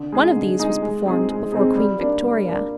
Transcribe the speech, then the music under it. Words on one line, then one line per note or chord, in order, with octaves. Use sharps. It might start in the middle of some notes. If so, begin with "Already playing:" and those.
One of these was performed before Queen Victoria.
Already playing: D3
G#3 D#4 G#4
D3
G#3 D#4 G#4
G#3
C4 D#4 G#4
G#3
C4 D#4 G#4
G3
A#3 D4
G3
A#3 D4